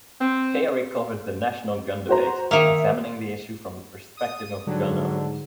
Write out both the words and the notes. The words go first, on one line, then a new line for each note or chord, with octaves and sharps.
Feyerick covered the national gun debate, examining the issue from the perspective of gun-owners.
C4
F#4 C5 A#5
D#3 A#3 E5
D#6
G#2 D3 F#3 G3